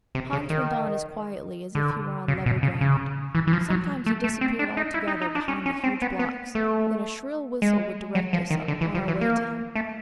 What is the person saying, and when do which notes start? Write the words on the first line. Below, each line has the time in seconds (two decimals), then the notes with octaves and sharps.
Hans went on as quietly as if he were on level ground; sometimes he disappeared altogether behind the huge blocks, then a shrill whistle would direct us on our way to him.
0.15 C3
0.33 C#3
0.50 D#3
1.75 D3
2.28 C#3
2.46 B2
2.63 C#3
2.81 C#3
3.35 E3
3.47 E3
3.53 F3
3.70 F#3
4.06 A3
4.24 A3
4.41 C4
4.59 D4
4.77 D#4
4.94 E4
5.08 D#4
5.22 D#4
5.35 D4
5.48 C#4
5.66 C#4
5.84 C4
6.02 B3
6.19 B3
6.55 A3
7.62 G#3
8.15 F#3
8.33 F3
8.50 D#3
8.68 D3
8.81 E3
8.95 F3
9.08 E3
9.21 A#3
9.75 A3